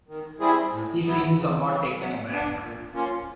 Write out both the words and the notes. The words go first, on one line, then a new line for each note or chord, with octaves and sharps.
He seemed somewhat taken aback.
D#3
G3 C4 E4 G#4
A2
F#3 B3 E4
C#3
E3 G3
F#3
B3 D4
A#2
F3 A#3 C#4 F4